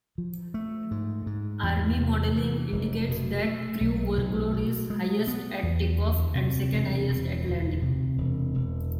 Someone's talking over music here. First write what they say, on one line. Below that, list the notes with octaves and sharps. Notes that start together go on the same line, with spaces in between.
Army modelling indicates that crew workload is highest at takeoff, and second-highest at landing.
F3
A3
G#2
G#2
E2
C3
E3
F1
B2
A3
B1
B1
B2
G#3
B3
E2
D2
C3
E1
E1
D2
C3
E1
E1